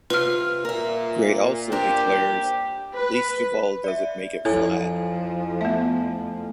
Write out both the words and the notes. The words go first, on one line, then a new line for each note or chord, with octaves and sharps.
Gray also declares, "least of all does it make it flat".
C3 F4 B4 F6
A#2 A#4 E5
D4 G4 A#4 C5
B4
D5 E5
F2 F3 E4 A4 C#5 G#5
A3 B3 E5